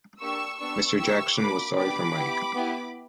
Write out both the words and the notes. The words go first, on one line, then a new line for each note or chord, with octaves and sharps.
Mr. Jackson was sorry for Mike.
A#3 D4 G4 C#6 E6
B3 D4 G4 C#6 E6
A#3 E4 G4 C#6 E6
A#3 D4 F#4 B5 D6
B3 D4 G4 B5 D6
B3 E4 G4
B3 E4 G4